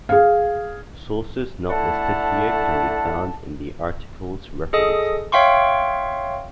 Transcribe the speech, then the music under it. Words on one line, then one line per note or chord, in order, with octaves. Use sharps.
Sources not listed here can be found in the articles referenced.
G#4 F5
A3 D4 E4 A4 F#5 A5
G#4 A4 D#5 D#6
C#5 E5 F5 G5 C6 C#6